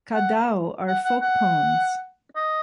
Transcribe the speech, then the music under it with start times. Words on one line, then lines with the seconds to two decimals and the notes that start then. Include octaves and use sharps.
"Ca Dao" are folk poems.
0.14 F#5
0.88 F#5
1.05 F#5
1.22 F#5
2.36 D#5